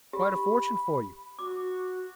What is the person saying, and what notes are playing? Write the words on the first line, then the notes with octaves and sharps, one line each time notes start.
Quite a fortune for you.
G4 B5
F#4 D6